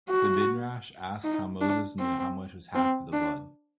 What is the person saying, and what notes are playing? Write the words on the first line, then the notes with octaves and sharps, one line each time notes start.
The Midrash asked how Moses knew how much was half of the blood.
F#4
D#4
D4
C4
C4
D4